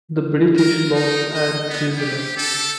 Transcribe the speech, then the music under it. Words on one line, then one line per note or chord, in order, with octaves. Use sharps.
The British lost and prisoner.
A#4
D#4
D#5
B3
G4
A4